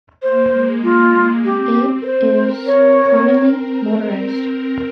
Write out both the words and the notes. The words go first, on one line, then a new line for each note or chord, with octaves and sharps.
It is commonly motorized.
A#3 C5
G#3
F4
C4 G4
A#4
C5
A#4
C#5